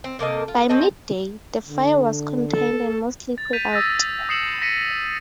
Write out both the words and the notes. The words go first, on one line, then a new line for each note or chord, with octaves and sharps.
By mid-day, the fire was contained and mostly put out.
C4
C3 A#3 A4 D#5
F4
C4 C#4 A4 D#5
D3
A4
A6
G6 B6 D#7 F7
D#6 E6 A6 A#6
D#6 E6 C7 C#7 E7 F#7
A#6 B6 C#7 D#7